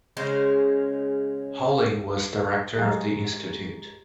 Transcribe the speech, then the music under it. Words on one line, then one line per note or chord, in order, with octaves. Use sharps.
Holling was director of the Institute.
C#3 G#3 C#4 C5
F#3 G#3 G4 D#5 F5 G#5 A#5